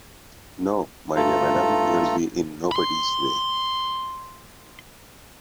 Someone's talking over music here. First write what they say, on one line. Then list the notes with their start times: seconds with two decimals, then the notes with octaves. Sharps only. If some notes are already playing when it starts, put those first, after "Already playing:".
No, my dear madam, you will be in nobody's way.
1.16 G2 A3 F4 A4 A#5
2.71 B5 C6